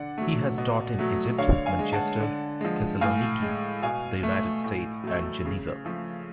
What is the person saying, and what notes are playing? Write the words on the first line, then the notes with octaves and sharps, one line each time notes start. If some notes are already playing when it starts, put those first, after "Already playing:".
He has taught in Egypt, Manchester, Thessaloniki, the United States, and Geneva.
Already playing: D3 D5 F#5
F#3 A3
B2
F#3 A3
D3 C#5 F5
F5 G#5
G#3
F#5 A5
D3
F3 G#3
A2 F5 G#5
G#3
B2 F5 G#5
A3
A2
F#3 A3
C#3
F3 A3